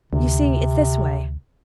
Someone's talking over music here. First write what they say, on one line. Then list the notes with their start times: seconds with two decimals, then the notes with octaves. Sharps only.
You see it's this way.
0.13 D2 C3